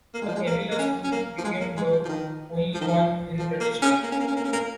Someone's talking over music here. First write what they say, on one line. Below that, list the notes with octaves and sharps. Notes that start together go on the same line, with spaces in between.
The Avilla school became the only one in the district.
A#3
G#3
F3
G#3
A#3
A#3
C#4
C#4
A#3
F3
G#3
A#3
G#3
F3
F3
D#3
F3
D#3
F3
F3
A#3
C#4
A#3
C#4
A#3
C#4
A#3
C#4
A#3